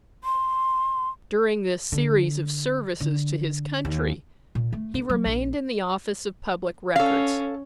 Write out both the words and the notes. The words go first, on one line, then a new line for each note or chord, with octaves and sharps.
During this series of services to his country, he remained in the office of Public Records.
C6
D3
D3
D#2
A#2
A3
D3
F#3
A#1
C#4 A4 F5